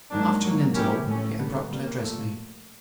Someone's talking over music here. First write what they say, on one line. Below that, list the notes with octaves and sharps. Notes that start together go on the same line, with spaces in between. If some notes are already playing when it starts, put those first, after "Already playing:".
After an interval, he abruptly addressed me.
G#2 D#3 F#3 A#3 D4
D#3 F#3 A#3
F3 A#3 C#4 E4 G4
A2 E3 A3 C#4
D3 G3 B3
A#2 G3 A#3
A#2 F3 A3